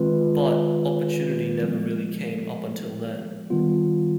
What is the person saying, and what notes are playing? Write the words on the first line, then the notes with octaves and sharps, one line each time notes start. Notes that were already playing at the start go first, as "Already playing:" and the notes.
But, opportunity never really came up-until then.
Already playing: D#3 G#3 C4 F4 B4
F3 G#3 B3
D#3 G3 B3 F4